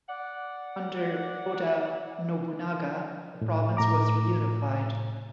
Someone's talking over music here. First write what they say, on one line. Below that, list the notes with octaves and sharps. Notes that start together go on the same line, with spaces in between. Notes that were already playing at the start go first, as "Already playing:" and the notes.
Under Oda Nobunaga, the province was reunified.
D5 F#5
A2
A2 A#5 D6